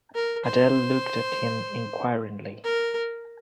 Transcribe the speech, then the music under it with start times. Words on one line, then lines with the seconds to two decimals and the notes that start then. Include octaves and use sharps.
Adele looked at him inquiringly.
0.15 A#4
0.46 C5
2.64 A#4